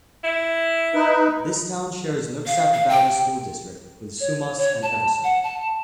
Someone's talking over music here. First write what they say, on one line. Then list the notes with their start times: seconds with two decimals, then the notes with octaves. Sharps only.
This town shares Nooksack Valley School District with Sumas and Everson.
0.24 E4
0.95 D#4 B4
2.47 F5
2.73 F5
2.89 G5
4.20 C#5
4.58 C#5
4.82 A5
5.24 F#5
5.43 A5